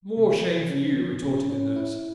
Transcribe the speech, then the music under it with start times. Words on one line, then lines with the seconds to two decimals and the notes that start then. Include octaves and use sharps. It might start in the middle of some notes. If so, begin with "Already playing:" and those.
'More shame for you,' retorted the nurse.
0.17 C3
0.43 F3
0.70 C#4
0.97 F3
1.22 C#4
1.49 C#4
1.76 E4